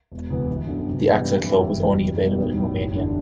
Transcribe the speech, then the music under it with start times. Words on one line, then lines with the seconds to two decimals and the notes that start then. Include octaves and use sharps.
The Axel Club was only available in Romania.
0.12 E1
0.30 D2 C3 E3 B3
0.49 G1
0.67 F#2 D3
0.87 C3
1.06 E3 G3 B3 D4
1.24 G2
1.43 E3 G3 C4 E4
1.62 F#1
1.82 E2 B2 G3
2.00 F#1
2.19 E2 B2 G3
2.38 B1
2.57 A2 G3
2.76 F#1
2.94 E2 D3 G3 D4